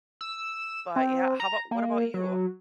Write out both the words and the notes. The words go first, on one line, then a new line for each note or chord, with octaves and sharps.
But yeah. How about What about you?
E6
C4
A#5
A#3
F#3